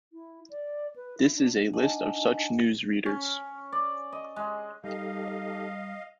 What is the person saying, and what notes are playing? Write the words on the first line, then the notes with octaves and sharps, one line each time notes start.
This is a list of such newsreaders.
E4
D5
B4
E4
D4
D4 D#4 D#5 F#5 G#5 A5
C#4
D5
D#5
G#3
G3 D#4 G4 A4 A#4 D#5 F5